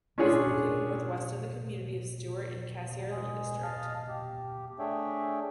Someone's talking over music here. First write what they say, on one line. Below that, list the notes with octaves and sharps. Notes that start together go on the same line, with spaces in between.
It is located northwest of the community of Stewart in Cassiar Land District.
C#4 D4 F4 G#4 C#5
F#3 G3
G#3 G#4
D#5 F5 A5 F6
G4
A3 D4 G#4 C#5 E5 G5